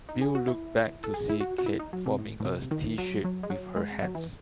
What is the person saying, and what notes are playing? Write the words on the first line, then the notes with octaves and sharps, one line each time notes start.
Bill looked back to see Kate forming a T-shape with her hands.
D#4
G#4
F#4
E4
A4
G#4
E4
F#4
F#4
E4
D#4
F#3
C3
A2
A2
C3
D#3
F#3
F#3
G#3
F#3
G#3
F#3
E3